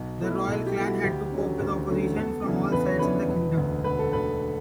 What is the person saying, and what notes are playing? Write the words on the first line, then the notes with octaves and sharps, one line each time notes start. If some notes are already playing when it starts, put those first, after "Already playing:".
The royal clan had to cope with opposition from all sides in the kingdom.
Already playing: B1 F#4
B2 A3 E4
B1
G4
B2 A3 E4
F#4
D2 G4
D3 F#3 A3 C#4
D2
D3 F#3 A3 C#4
E2 A4
C#3 E3 B3 D4
E2 B4
C#5
C#3 E3 B3 D4 B4
E1
D2 D3
E1 B4
A4
D2 D3 B4